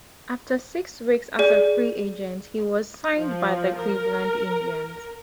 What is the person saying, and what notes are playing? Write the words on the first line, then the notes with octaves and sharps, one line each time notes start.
After six weeks as a free agent, he was signed by the Cleveland Indians.
G#4 D5
F3
A#4